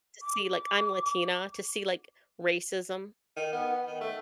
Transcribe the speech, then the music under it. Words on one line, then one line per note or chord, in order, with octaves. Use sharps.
To see like- I'm Latina- to see, like, racism.
D6
D#3
B3
D#3
A3